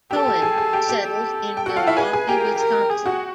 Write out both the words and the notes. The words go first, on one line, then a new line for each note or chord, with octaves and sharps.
Cohen settled in Milwaukee, Wisconsin.
G4 A4 G5
G4 G5
G#4 G#5
G#4 G#5
G4 G5
G4 G5
A4
G5
F#4 A4 F#5
F4 F5
E4 E5
G#4 B4 G#5
G#4 G#5
G4 A#4 G5
A#4
G#4
F#4 F#5